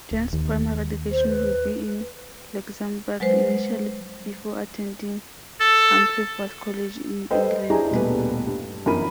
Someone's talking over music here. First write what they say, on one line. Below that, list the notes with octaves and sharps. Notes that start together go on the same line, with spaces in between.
Jean's primary education would be in Luxemboug initially before attending Ampleforth College in England.
D1
D#2
C5
B4
F#3 G#3 B4 C5
A4
A4 B4 C5 D#5 G5
D4 E4 G4 G#4 D#5 A#5
D#1 B2 G3 A3 B4
G2
G1 F#2 E3 A#4 B5 D#7